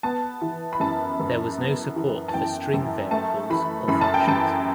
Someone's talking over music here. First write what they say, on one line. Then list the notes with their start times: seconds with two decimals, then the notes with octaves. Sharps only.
There was no support for string variables or functions.
0.03 B3 A5
0.41 E3
0.73 B5
0.80 F#2 A5
1.20 F#2
1.58 B3
1.96 E3
2.28 A5
2.34 F#2 G5
2.74 F#2
3.11 A3 A5
3.50 E3 B5
3.88 F#2 B5
4.01 A5
4.14 G5
4.27 F#2 A5